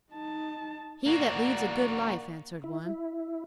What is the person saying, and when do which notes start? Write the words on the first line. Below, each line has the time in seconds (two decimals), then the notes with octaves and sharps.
"He that leads a good life," answered one.
0.11 D#4 A5
1.06 A#3 F#4 D5 F#5
2.64 E4